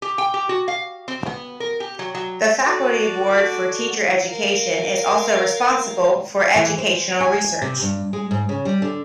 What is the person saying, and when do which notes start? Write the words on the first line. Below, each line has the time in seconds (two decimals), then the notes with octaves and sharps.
The Faculty Board for Teacher Education is also responsible for educational research.
0.02 G4
0.18 G5
0.34 G4
0.49 F#4
0.68 F5
1.08 C4
1.26 B3
1.60 A#4
1.80 G4
1.99 F#3
2.15 F#3
2.65 F#4 A4 D5
4.25 A#4 F5
6.56 E3
6.78 C5
7.20 G#5
7.62 C3
7.82 G2
8.13 G#3
8.31 G#2
8.49 C#3
8.65 G3
8.82 D3